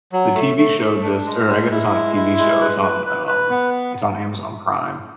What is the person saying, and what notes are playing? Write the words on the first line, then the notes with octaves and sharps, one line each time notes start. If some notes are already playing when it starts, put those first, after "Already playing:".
the TV show just or I guess it's not a TV show, it's on, um it's on Amazon Prime.
F#3
A3
A3
A3
D4
G#3
G#3
E4
G#3
E4
G#3
B4
B4
B4
B4
B3